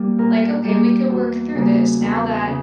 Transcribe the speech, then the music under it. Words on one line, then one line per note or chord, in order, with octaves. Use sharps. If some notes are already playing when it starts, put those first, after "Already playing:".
Like, "Okay, we could work through this now that
Already playing: G3 A#3 G4
A#2 A#4
G3 A#3 G4
E2 F#4
C#3 G3 A#3
E2
C#3